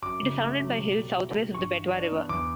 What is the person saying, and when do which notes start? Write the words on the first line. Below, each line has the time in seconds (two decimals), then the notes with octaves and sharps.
It is surrounded by hills southwest of the Betwa River.
0.02 F#2 D6
0.22 C#3
0.41 A3
0.59 F#3
0.79 B2
0.98 G3
1.17 E4
1.36 C#4
1.54 G2 C#6
1.73 E3
1.92 D4
2.11 B3
2.29 E2 D6